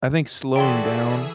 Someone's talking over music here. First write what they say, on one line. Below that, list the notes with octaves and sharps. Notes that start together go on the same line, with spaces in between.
I think slowing down
E3 F#4 G#4 A4 D5 E5 G5 C6